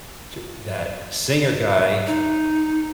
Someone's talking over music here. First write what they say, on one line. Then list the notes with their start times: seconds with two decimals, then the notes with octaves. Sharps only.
t that singer guy,
2.06 D#4